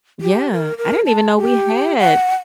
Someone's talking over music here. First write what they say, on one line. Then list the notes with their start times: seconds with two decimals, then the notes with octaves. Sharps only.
Yeah. I didn't even know we had
0.21 G4
0.52 A#4
0.78 A#4
1.06 A5
1.37 G4
1.99 F#5